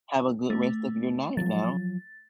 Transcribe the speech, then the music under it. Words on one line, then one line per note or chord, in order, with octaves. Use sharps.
Have a good rest of your night now.
A3
F3 F#3 A6